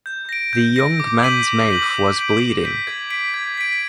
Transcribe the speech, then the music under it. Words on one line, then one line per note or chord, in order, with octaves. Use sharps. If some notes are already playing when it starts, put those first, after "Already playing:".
The young man’s mouth was bleeding.
G6
A#6 D7
G6
A#6 D7
D6
G6 B6 D#7 F#7
D6
G6 B6 D#7 F#7
D6
G6 B6 D7
D6
G6 B6 D7
G#6
B6 D7
G#6
B6 D7